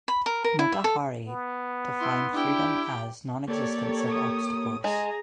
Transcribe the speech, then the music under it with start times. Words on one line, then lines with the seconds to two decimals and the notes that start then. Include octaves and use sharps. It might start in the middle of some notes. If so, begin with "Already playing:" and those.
Motahari defined freedom as nonexistence of obstacles.
0.08 B5
0.26 A#4
0.44 A#4
0.59 E4
0.72 E5
0.84 A4
1.27 B3
2.00 E4 C6
2.34 D4 E4 G4 G5
3.48 A#3 G4 A4 C#5 D5
4.10 D#6
4.84 G#3 G#4 A#5